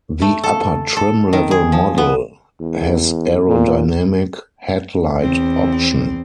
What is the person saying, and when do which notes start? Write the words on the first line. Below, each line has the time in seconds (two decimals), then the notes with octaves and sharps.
The upper trim level model has aerodynamic headlight option.
0.22 A3
0.44 A4
0.97 A4
1.33 D#3
1.51 G#4
1.72 F3
1.98 B3
2.61 E2
3.47 A#2
5.21 E2 C4